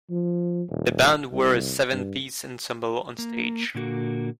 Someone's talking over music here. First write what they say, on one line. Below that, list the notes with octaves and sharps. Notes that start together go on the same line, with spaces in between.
The band were a seven piece ensemble on stage.
F3
D#1
C2
G2
A#3
A#2 D3 A#3 F#4